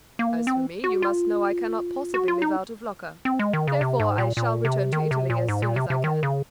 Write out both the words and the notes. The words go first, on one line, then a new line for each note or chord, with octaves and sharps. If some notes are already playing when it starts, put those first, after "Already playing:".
"As for me, you must know I cannot possibly live out of Lucca; therefore I shall return to Italy as soon as I can."
A#3
C4
F#4
F4
F#4
F4
D#4
C4
G#3
D#3
C#3
C3
G#2
A#2
A#2
C3
D#3
C3
A#2
G#2
A#2
C3
C3
D#3
C#3